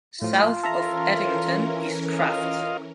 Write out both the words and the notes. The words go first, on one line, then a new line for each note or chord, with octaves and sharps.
South of Eddington is Krafft.
A2 F3 F4
E3 C#4 A4 A#4 E5 A#5
F4 D#5 F5